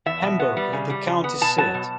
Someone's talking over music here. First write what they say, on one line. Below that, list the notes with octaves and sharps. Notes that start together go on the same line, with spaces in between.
Hamburg is the county seat.
E2 E5
B2
B3
G3
C#3
G3
C#3
B3
B2 A5
F#3 A5
B2